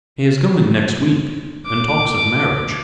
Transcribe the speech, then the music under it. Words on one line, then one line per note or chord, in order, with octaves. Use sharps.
"He is going next week, and talks of marriage."
D6